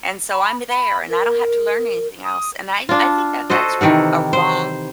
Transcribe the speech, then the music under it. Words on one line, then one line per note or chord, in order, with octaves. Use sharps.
and so I'm there, and I don't have to learn anything else." And I I think that that's a wrong
B5
B5
A#4
D#6
D4 F4
F#4 A4 C5 D#5
C3 D#3 E3 F#5
C5